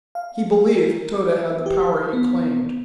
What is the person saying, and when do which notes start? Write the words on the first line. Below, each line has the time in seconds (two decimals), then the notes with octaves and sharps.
He believed Tode had the power he claimed.
0.15 F5
0.78 A#4
1.66 G4
2.13 B3